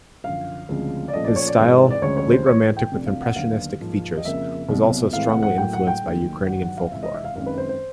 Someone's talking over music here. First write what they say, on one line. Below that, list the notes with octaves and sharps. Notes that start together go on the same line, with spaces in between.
His style, late romantic with impressionistic features, was also strongly influenced by Ukrainian folklore.
F#2 D3 F3 F5
D2 C#3 F3 G#3 C4
D5
A#2 F3 A3 C#4 D#5
D5
C#5
D5
G#2 E3 G#3 C4
D5
D2 C#3 F3 G#3 C#4 C#5
C#5
C5
A2 E3 G#3 C#5
G5
C2 C3 F3 A3 D4
F5
F#5
D#2 D3 F#3 B3 D4 F5
G#2 F3 A#3
D#5
F2 C#3 F3 A#3 E5
C2 B2 F#3
A2 E3 G#3 C4 F5
F#5
F#5
A2 F#3 A#3 G5
F#5
G5
D#2 D#3 F#3 A3
G2 D#3 F#3 F#5
F#5
F5
F2 C3 E3 G#3 E5
D#5
E5
F5
F#2 D#3 G#3 C4 F5
B4
C5
C5